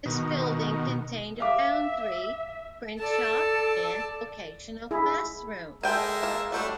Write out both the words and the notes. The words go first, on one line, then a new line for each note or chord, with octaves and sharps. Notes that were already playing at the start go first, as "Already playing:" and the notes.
This building contained a foundry, print shop, and vocational classrooms.
B2 D#3
E5 F5 D6
A4 D5 A5
E4 G#4
G#3 A4 A#4 E5 G5 G#5
A#3 A5
F#3 G3 A3 D4